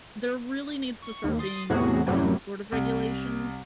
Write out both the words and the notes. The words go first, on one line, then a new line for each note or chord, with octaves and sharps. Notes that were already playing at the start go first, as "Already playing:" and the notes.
there really needs to start being some sort of regulations
C#6
D#2
C6 D#6 A6
E2 A2 C3 F#3 F#4 G#4
F#2 A2 C3 F#3 G3
C2